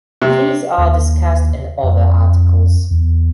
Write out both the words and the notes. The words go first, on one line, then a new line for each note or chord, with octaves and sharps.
These are discussed in other articles.
C3
D#2
F2
E2